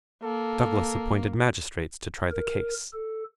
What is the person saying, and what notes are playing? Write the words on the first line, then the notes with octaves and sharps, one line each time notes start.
Douglas appointed magistrates to try the case.
A#3 A4
A#4
A4